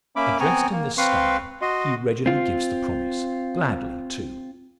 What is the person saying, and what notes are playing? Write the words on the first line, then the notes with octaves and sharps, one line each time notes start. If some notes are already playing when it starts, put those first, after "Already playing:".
Addressed in this style, he readily gives the promise--gladly, too.
A#3 C#4 E5 B5 D6
B3 C4 G#5 A#5 C#6
A#3
C4 B4 F5 C6 C#6
F#4 D#5 C6
C4 F4